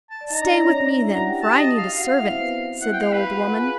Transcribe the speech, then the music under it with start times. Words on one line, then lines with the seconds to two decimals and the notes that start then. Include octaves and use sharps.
'Stay with me, then, for I need a servant,' said the old woman.
0.10 A5
0.21 D5
0.30 D#4 D#5 A#5
0.41 D4 D5
0.52 D4 D5
0.61 C#4 C#5
0.72 D4 D5
0.86 D4 D5
1.01 E4 E5
1.14 F#4 F#5 A#5
1.28 G4 G5
1.42 A5
1.56 D#5
1.78 F5
1.98 F#4 F5 F#5
2.18 E4 E5
2.29 C4 C5
2.39 B3 B4
2.82 E4 E5 F#5
2.93 G5
3.02 F5
3.13 B4
3.33 F#4 F#5
3.44 F4 F5
3.54 G#4 G#5